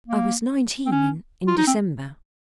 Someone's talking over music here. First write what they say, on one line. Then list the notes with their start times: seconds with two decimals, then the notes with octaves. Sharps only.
"I was nineteen in--in December."
0.08 A#3
0.86 C4
0.92 C#4
1.47 F4
1.57 D#4
1.67 C4